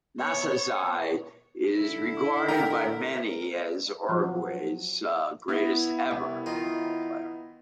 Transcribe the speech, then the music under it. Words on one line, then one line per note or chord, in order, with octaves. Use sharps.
Nasazzi is regarded by many as Uruguay's greatest ever football player.
B3 C#5
D3 E4
A#4 G5
F3 F#3
B3 E4
C2
D#3 F4